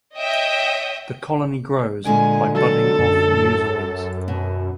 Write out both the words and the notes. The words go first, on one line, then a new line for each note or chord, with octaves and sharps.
The colony grows by budding off new zooids.
C#5 D#5 E5 G5
A#2 D3 G#3 G#5
F#3 A4
F#2
B2